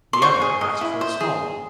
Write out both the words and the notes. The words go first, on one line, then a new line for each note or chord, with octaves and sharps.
The other asked for a small one.
C6
C5 C#6
G#4
D#5
E4
C5
G#4